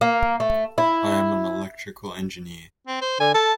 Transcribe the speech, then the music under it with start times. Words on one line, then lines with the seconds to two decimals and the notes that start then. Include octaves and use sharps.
I am an Electrical Engineer.
0.01 A#3
0.40 A3
0.78 E4
2.87 C4
3.01 C5
3.20 D3 G#5
3.34 A4 A5